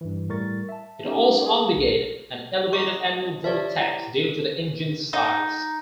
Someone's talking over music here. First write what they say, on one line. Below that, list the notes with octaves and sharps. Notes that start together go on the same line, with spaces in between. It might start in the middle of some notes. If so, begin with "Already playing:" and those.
It also obligated an elevated annual road tax due to the engine's size.
G2 E3
A2 G3 A#4 C#6 A6
E5 A5
B3 C#4 D#4 G4 A4
G#4
B1 D#4
G#4 D#5 A#5 C#6
D#5
G4 B4 C#5 D5 E5
E4 A#5
D#4